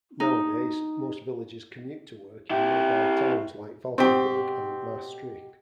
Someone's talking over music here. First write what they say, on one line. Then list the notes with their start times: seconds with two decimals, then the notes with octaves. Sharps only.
Nowadays, most villagers commute to work in nearby towns like Valkenburg and Maastricht.
0.20 D#4
2.50 E4 G4
3.98 B2 C4 G4